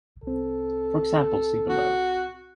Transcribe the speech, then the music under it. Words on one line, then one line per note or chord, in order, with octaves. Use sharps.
For examples see below.
C2 C4 A4
F#4